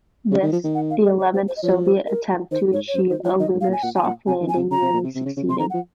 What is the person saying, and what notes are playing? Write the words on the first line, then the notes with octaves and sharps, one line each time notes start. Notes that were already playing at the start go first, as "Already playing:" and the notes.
This, the eleventh Soviet attempt to achieve a lunar soft landing, nearly succeeded.
C#3
D#3
F3
D#3
F#5
F5
D#5
C#5
C5
C5
D#5
F3 C#5
C5
A#4
D#3 C5
G#2 C#5
C#5
F#2 C5
D#3 C5
F3 C#5
D#3 D#5
G#2
F5
A#2
G#5
A#2 F#5
G#5
A#2 F#5
C3 G#5
D#3
G#5
C3
C#3 A#5
C3
A#2
C3
C3
C#3
C#3
C3 C6
D#3 A#5
F3 F#5